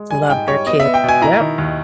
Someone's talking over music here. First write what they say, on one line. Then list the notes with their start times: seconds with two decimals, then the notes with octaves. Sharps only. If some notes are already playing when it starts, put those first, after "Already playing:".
Love their kid. Yep.
Already playing: G#3
0.10 G3 G#5
0.29 G#2 G5
0.47 G3 C#5
0.67 B3 D#5
0.80 E5
0.85 B3
0.94 G5
1.04 B2 G#5
1.22 E4 A#5
1.40 D#3
1.58 D#2